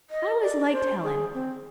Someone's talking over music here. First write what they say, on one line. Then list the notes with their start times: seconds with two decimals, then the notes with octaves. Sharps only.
I always liked Helen.
0.10 D#5
0.41 D5
0.73 C5
1.04 G#4
1.34 C4